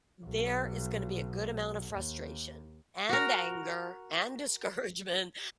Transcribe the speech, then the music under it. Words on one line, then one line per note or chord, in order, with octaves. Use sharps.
there is gonna be a good amount of frustration and anger and discouragement,
B1
D#2
F#4 A#4